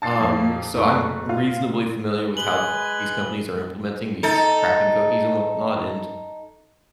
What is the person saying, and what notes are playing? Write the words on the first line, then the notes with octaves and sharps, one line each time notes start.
Um, so I'm reasonably familiar with how these companies are implementing these tracking cookies and whatnot, and
A5 A6 C7
F2 A#3
F#1 A3 C#6
F4
G#3 B4 G#5 F#7 G7
D#4 A4